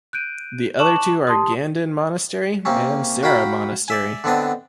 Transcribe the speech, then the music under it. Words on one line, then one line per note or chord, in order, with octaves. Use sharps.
The other two are Ganden Monastery and Sera Monastery.
F#6 G6 D7 D#7
A5 C#6 D6 F#6 E7 F#7
G4 A5 C6 D#6
C3 A#3 C4 C#4
F#4 F5 G5 A#5 B5
D5 E5 G#5
D3 B3 C4 D4 D#5